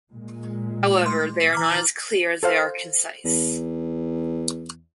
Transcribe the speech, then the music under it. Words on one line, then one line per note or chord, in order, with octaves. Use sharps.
However they are not as clear as they are concise.
A#2 G#3
A3 C6
E3 A#5 D6 F6
A4 C5 F5
E2